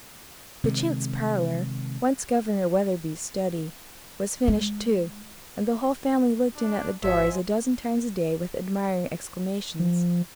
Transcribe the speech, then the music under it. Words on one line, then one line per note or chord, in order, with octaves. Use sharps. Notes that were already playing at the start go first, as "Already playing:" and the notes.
The chintz parlor, once Governor Weatherby's study, was finished too, and the whole family looked in at the doors a dozen times a day with admiring exclamations.
C3 D#3 G#3
G#3
D4
G#1 F3 G#3 F#4 E5 G#5
F3